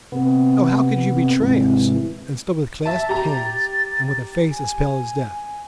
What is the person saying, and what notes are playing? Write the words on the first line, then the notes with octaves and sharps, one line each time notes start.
"Oh, how could you betray us!" and stood with clasped hands, and with face as pale as death.
C3 B3 C4
G#2 C3 E3
E5 A5 A6
G4 A#5
G#5